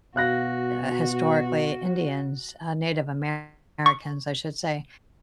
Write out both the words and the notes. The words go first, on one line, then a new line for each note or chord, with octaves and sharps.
uh, historically Indians, uh, Native Americans, I should say,
B2 F#4 F5 F#6 A#6
C#6